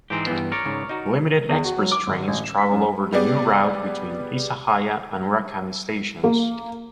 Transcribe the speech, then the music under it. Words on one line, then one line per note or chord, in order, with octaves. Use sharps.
Limited express trains travel over the new route between Isahaya and Urakami stations.
G#2 E3 G#3 C4 G4 A#5
G2 E3 B3
A#4 C#5 D5
G#2 C#3
D#4 F#4
E2
F#4
F#3
D6
G#1
A1
E7
B6
F#2
G3 B3 G#4 D5
A#3